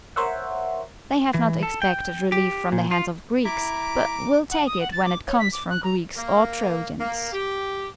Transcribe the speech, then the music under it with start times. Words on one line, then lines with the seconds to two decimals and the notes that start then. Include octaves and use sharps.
They have not expected relief from the hands of Greeks, but will take it when it comes from Greeks or Trojans.
0.16 A#4 C5 C#5 E5 F#5
1.34 E3
1.63 A4
1.82 G5
2.32 G4
2.72 A#2
2.91 F4
3.45 E4 A#5 D6
4.50 F#5
4.66 D#6
4.80 F#5
4.92 A6
5.04 D6
5.27 C#5
5.39 B6
5.52 D6
5.70 F#6
5.83 A#5
6.17 A#3
6.99 A#3
7.33 G4